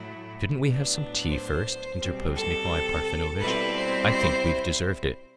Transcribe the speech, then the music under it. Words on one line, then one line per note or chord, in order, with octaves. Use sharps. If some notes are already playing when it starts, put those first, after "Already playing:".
"Shouldn't we have some tea first?" interposed Nikolay Parfenovitch, "I think we've deserved it!"
Already playing: A2 F#3 A3 E4
A2 F#3 B3 D4
C5
B2 G3 C4
A4
B2 G3 C4 E4 B4
C5
C5